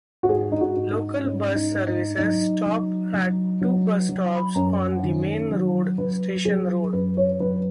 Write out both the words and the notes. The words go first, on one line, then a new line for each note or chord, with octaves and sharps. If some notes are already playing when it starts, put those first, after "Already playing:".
Local bus services stop at two bus stops on the main road, Station Road.
F#4
G#2 G#4
D#4
F#4
G#2
D#4
G#2 C#4
D#4
G#2
D#4
F#3 D#4
F#3
F#3
F#3
F#3
F#2
D#3
F#3
F#3 B4
F#3 G#4
F#2 B4
C#5
F#3 B4